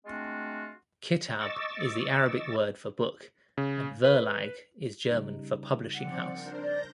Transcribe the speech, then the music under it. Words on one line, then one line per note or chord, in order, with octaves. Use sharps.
"Kitab" is the Arabic word for "book" and "Verlag" is German for "publishing house".
G#3 A3 C4 D4 F4 F#4
D#5 C#6 D6 E6 A6
C#3
B4
C#3 G3 D#4
F3 C4 D5 F#5
D4 A#4 C5
D5 G6 A#6